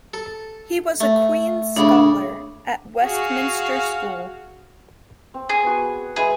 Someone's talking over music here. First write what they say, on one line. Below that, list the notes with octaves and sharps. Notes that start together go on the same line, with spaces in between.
He was a Queen's scholar at Westminster School.
A4
A3
A2 C#3 D4 D6
F#4 G#4 F5
C4
G#4
B3 F#4
G#3 G#4 B4 E5